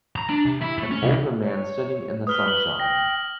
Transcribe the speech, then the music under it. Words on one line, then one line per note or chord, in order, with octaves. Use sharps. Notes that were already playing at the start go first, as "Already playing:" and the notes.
An older man sitting in the sunshine.
A#5
D4
C3
E4
A3
C#4
C2
C#5
B4 D#6 F6 G7
F#7
G5 A#6